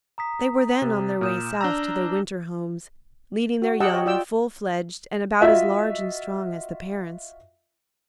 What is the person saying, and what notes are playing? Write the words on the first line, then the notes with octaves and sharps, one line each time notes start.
They were then on their way south to their winter homes, leading their young full-fledged and about as large and strong as the parents.
A#5 D#6 B6
C3
A#2 D#6 F6 G6 E7
D4 A#5 E6 A#6 G7
F#4
G4 D#5 F#5 G5 A5 E6
C#5 D#5
F4 D5 G5 E6
F4 F#4 D#5 E5